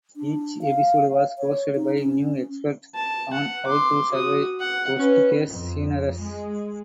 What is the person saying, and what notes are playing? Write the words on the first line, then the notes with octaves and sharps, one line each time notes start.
Each episode was hosted by new experts on how to survive worst-case scenarios.
D4
F5
C#5
D#4
C#4
A5
F#5
C6 D6
F#4 D#6
F#5
C#4 B4
F2
G#3